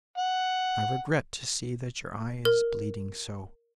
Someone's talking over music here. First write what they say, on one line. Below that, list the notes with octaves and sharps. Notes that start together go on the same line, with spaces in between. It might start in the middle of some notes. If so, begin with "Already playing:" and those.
I regret to see that your eye is bleeding so.
F#5
A#4